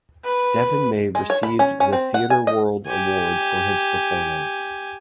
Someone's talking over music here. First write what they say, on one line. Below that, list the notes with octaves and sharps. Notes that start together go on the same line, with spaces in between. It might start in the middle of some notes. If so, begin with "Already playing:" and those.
Deven May received the Theatre World Award for his performance.
B4
G#3
C#5
B5
C#4
C#4
C4
F#5
G#5
D#5
G4 G#5